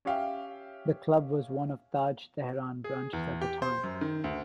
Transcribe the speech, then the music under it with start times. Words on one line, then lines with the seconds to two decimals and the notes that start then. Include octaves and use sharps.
The club was one of Taj Tehran branches at the time.
0.05 C#4 G4 C#5 E5 F5 G5
2.84 G#4
3.13 E2
3.41 G4
3.62 C5
3.84 F#2
4.01 D#3
4.24 D2